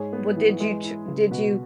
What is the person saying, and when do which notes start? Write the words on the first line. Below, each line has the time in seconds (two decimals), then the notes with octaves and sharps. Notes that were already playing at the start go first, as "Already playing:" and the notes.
Well, did you ch did you
Already playing: G#2 G#4 C#5
0.13 B3
0.36 E3
0.60 G#3
0.83 E4
1.08 C#3
1.30 B2 F#4 B4